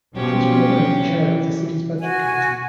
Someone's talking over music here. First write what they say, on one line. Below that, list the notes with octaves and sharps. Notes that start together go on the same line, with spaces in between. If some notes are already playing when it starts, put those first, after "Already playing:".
She was formerly the Chair of the City's Budget Committee.
B2 F3 F#3 C#4 G4
E3
F#4 G#5